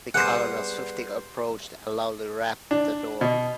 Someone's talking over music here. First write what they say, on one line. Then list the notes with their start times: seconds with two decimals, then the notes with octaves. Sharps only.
The colonel swiftly approached and loudly rapped the door.
0.14 G3 B3 G#4 C5 F#5
2.71 D4
3.21 B2